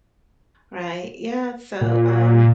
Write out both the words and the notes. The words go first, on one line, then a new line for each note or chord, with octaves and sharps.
Right, yeah, so, um,
A#2